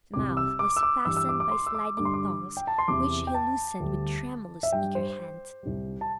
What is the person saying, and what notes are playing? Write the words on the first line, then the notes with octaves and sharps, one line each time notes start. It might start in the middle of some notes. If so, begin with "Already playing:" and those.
Its mouth was fastened by sliding thongs, which he loosened with tremulous, eager hands.
C2 C3 G3 D6
E6
D6
E6
D6
G2 E3 G3 E6
E6
D6
D6
C6
E6
D6
G2 D3 G3 D6
C6
D6
G5
A5
C6
E2 C3 E3 D6
G5
A5
D2 D3 G3
E5
G2 G3 G5
C5
C2 C3 G3
A5